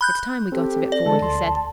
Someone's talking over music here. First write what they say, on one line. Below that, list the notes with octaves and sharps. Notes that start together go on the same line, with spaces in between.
"It's time we got a bit forward," he said.
B5 F#6 G6
C4 G4 A4
D5
D3 G#3 A4 A5
D2 C6